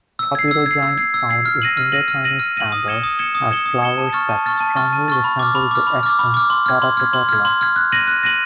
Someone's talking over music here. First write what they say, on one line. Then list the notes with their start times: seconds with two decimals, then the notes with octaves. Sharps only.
"Tropidogyne", found in Indochinese amber, has flowers that strongly resemble the extant "Ceratopetalum".
0.19 E6
0.35 G#6 C7
0.51 E6
0.66 G#6 C7
0.83 E6
0.98 G#6 C7
1.14 E6
1.29 G#6 C7
1.46 F6
1.62 A#6 D#7 F#7
1.77 F6
1.92 A#6 D#7 F#7
2.08 F6
2.24 A#6 D#7 F#7
2.40 F6
2.56 A#6 D#7 F#7
2.72 D#6
2.88 G#6 C#7 E7 G7
3.04 D#6
3.19 G#6 C#7 E7 G7
3.35 D#6
3.51 G#6 C#7 E7 G7
3.66 D#6
3.82 G#6 C#7 E7 G7
3.98 A5
4.13 C#6 F6 A6
4.29 A5
4.46 C#6 F6 A6
4.60 A5
4.76 C#6 F6 A6
4.93 A5
5.08 C#6 F6 A6
5.24 B5
5.39 D6 F6
5.55 B5
5.71 D6 F6
5.87 B5
6.03 D6 F6
6.19 B5
6.34 D6 F6
6.50 C6
6.66 F6 G#6
6.82 C6
6.97 F6 G#6
7.13 C6
7.29 F6 G#6
7.45 C6
7.61 F6 G#6
7.76 F#6
7.92 A#6 D#7 F#7
8.08 F#6
8.23 A#6 D#7 F#7